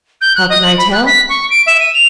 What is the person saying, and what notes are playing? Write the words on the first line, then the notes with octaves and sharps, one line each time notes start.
How can I tell?
G6
F#6
D#5
F#7
B5
F#6
B6
C#6
D7
E5
D#7
F7